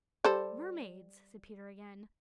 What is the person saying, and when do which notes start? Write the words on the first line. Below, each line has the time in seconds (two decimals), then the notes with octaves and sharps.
"Mermaids!" said Peter again.
0.24 G3 A4 C5